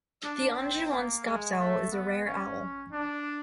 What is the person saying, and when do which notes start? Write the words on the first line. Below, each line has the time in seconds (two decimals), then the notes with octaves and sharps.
The Anjouan scops owl is a rare owl.
0.23 D4
0.56 C4
0.91 A#3
1.24 G#3
1.58 A3
1.91 B3
2.25 C#4
2.91 D4